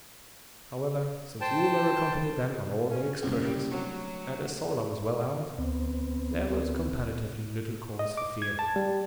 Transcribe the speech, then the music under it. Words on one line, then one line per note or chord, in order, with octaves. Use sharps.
However, since Woola accompanied them on all their excursions, and as Sola was well armed, there was comparatively little cause for fear.
C5 G5 A5
C#4
C2 F#2 A#2 D#3 F3
G3
D2 F#3
D2 B3 C4
D#5
D6
G#6
A5
G3